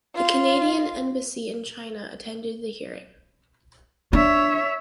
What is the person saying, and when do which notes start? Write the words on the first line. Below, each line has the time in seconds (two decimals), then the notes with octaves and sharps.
The Canadian Embassy in China attended the hearing.
0.14 F4
4.13 D4 C#5 E5